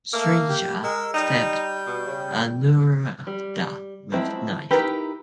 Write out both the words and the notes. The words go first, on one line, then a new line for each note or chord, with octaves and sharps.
Sreeja stabbed Anuradha with knife.
A3 A#3 E6
G4
G#3 A#4 E6
G3 D#4 G5
B2
C#3
G3
F3 F#3 G#3 C4 E4
D#4 E4 G4 A#4 B4